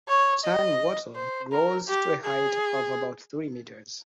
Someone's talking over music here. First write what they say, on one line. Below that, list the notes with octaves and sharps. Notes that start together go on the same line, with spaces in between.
Tan wattle grows to a height of about three metres.
C#5
D#5
C5
A#4
G4
G#4